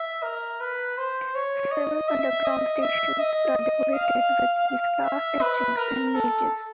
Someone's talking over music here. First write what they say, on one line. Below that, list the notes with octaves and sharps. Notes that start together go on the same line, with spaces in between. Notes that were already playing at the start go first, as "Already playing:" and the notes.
Several underground stations are decorated with his glass etchings and images.
Already playing: E5
A#4
B4
C5
C#5
D#5
E5
D#5
E5
D#5
D#5
F5
F5
E5
B4
A#4
A4